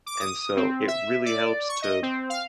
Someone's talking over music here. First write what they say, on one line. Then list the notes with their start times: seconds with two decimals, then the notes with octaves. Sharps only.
and so it really helps to
0.06 D6
0.20 D#6
0.57 C4
0.88 E5
1.26 D5
1.69 C#6
1.82 D#5
2.03 C4
2.30 F5